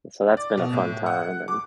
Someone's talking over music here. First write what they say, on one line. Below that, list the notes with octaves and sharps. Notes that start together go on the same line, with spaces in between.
And so that's been a fun time, and,
D5
B2
A2
F#5
D6